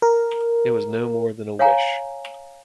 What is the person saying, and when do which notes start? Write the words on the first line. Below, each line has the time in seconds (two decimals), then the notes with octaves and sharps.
It was no more than a wish.
0.02 A#4
1.59 C#5 F5 F#5 G#5 A#5